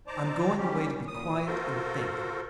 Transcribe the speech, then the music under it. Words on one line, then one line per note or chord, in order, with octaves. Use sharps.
I'm going away to be quiet and think.
D#4 C5 D5 A5 A#5 D6
G3 C#4 G4
A#2 D#6
F4 F#4 A4 A#4 C5